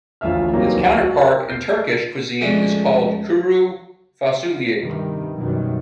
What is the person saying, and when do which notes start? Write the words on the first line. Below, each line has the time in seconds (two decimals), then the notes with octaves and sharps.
Its counterpart in Turkish cuisine is called kuru fasulye.
0.21 A1 D2 F4 A4 E5 F6
0.53 E3 F#3 G3 A#3 C4 D#4
0.76 D1 C2
0.98 F#4
1.17 A#4
1.48 F6 G6 C7
2.41 F2 G#3 A3 C#4 D4
4.77 G2 C3 D#3 G3
5.35 F#2 B2 D#3 F#3 G3